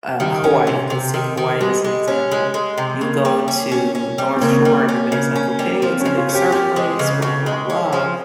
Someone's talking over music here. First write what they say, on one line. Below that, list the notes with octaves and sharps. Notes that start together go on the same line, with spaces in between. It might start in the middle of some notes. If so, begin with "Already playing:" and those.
uh, Hawaii, let's take Hawaii as an example. You go to North Shore, everybody's like, "Okay. It's a big surf place, blah, blah, blah."
D#3 G3
C#4
C3
C3
D#3
D#3
G3 G#3
G#3
C#4
G#3
G#3
C3
C#3 A#3
G3
C#4
C#4
C#4
G3
C4
C#3 A#3
G3
C#4
C#3
C#4
G3
A#3
F3 C4
C#4
C#3
F4
C#4
G4
F3 G4
G#3
C#3
C#3
G#3
C#4
F3 G#4